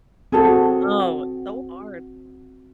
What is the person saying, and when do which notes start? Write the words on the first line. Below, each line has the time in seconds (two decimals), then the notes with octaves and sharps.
Oh, so hard.
0.32 C4 F#4 G#4 A4